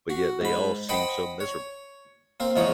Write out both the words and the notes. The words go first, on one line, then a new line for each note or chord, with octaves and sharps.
but yet they all seem so miserable.
F#4
G#2 B5
C5 D#5 F#5 G5 B5
C#5
A#3 C4 C5
E2 G#2 F3 D#4 C#5